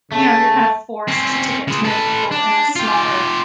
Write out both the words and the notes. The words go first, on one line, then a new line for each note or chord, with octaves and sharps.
you know, you're kinda forced t to get to know people in a smaller,
C#3 A3
C4 C#4
C#3 G#3
A4 B4
D4
F4 G4